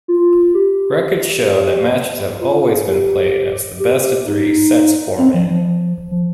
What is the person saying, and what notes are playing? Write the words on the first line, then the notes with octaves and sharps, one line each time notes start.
Records show that matches have always been played as the best-of-three sets format.
F4
G4
F4
G#4
G4
G4
G4
D#4
C4
F3
F3
F3